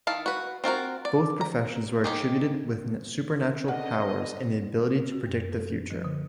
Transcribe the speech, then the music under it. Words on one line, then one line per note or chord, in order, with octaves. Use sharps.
Both professions were attributed with supernatural powers and the ability to predict the future.
D#3 E4 F5 A5
F#4 B4
C4 F4 F#4 A#4
D5
A#5
D#3 G4 G#4
D3 A#4 B4 D#5 F#5
F#4
F#2
A4
F3
D3